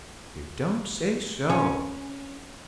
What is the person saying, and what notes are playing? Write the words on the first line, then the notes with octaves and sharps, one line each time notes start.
"You don't say so!"
C#4